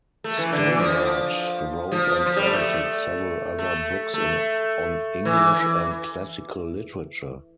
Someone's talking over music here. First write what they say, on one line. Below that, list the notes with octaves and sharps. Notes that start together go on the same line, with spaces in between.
Stobart wrote and edited several other books on English and Classical literature.
A3
E3
D3
E3
F3
F3
F3
G3
A3
A3
A3
E3
E3